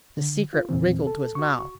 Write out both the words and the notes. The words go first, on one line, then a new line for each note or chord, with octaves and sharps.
The secret wriggled to his mouth.
D3
F4
E2 A#2 E3 C4
A4
F#4 C#6